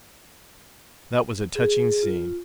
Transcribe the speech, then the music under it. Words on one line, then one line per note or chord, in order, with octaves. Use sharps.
That was a touching scene.
G#4
F4